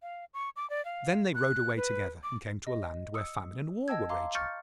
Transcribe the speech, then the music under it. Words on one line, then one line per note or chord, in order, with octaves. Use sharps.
Then they rode away together, and came to a land where famine and war were raging.
F5
C#6
D6
D5
F5
F#6
B4
D6
D#5
D#6 E6 C#7
D#5 G5 A5 E6 G#6
F5 A#5 C6 D6
C#6 F6 G6 A6 C#7